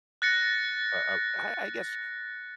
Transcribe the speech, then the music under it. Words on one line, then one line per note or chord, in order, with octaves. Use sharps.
uh, I I guess
F#6 A6 A#6 C#7